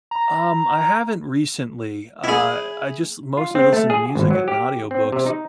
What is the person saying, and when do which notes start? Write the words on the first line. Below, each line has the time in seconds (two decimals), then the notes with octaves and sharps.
Um, I haven't recently, uh, I just mostly listen to music and audiobooks.
0.11 A#5
2.24 E4 G#4
3.37 F4
3.55 C4
3.73 A3
3.90 G#4
4.15 G#1
4.31 F#3
4.48 G4
4.91 C4
5.12 C3
5.26 D#4